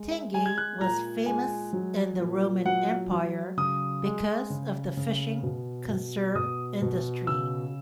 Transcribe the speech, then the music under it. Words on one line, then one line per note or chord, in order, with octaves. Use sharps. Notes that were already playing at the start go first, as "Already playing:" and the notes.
Tingi was famous in the Roman empire because of the fishing conserve industry.
Already playing: G#3
E5
G#3 G#5
G#6
F#6
A#2 A#5
G#3 G#5
F#3
A#2
F#3 F#5
F#3
C#3 D#6
G#3
C#3
C#3
B2
B2
B2 D#6
B2
C#3 E6